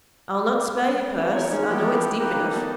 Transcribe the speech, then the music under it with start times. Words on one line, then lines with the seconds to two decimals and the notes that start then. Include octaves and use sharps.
I'll not spare your purse,--I know it's deep enough.
1.32 A#4 C#5 C#6
1.50 G#3 C#4 D#4
1.69 E3 F3 A#3 B3 G4 A4
2.20 A#3 D#4 G4 A#4 B4
2.51 B3 A4 A5